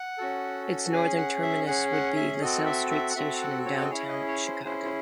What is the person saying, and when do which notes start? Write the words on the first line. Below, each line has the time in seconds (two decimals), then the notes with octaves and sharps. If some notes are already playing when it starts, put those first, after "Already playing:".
Its northern terminus would be LaSalle Street Station in downtown Chicago.
Already playing: F#5
0.18 C#4 F#4 A4
0.92 C#4 G#4 G#5
1.17 F#5
1.42 E5
1.67 C#4 G#4 F#5
1.92 F#5
2.16 E5
2.41 C4 F#4 A4 D#5
2.66 E5
2.91 E5
3.10 F#5
3.16 C4 F#4 A4 E5
3.41 F#5
3.66 C#5
3.81 D#5
3.90 C#4 E4 G#4 C#5
4.09 D#5
4.28 C#5
4.46 C5
4.64 C#4 E4 G#4 C5
4.85 C5